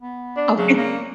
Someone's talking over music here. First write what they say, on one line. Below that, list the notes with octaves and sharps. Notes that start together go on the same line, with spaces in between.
I went
B3
D4
C#3 F#3
A#3